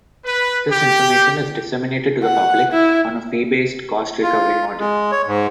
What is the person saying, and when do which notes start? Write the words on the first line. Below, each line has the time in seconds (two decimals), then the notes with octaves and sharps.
This information is disseminated to the public on a fee-based cost-recovery model.
0.24 B4
0.69 G4
2.22 F#5
2.72 E4
4.23 F4
4.79 G#3
5.12 C#5
5.27 G#2